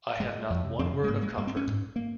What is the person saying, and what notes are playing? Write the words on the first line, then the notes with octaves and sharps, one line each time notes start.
I have not one word of comfort.
G#2 G#3
F2
C3
F2 C4
C#3
G#3
G#2 A#3
G#3
G2 A#3
C4
C#4
G#2
A#3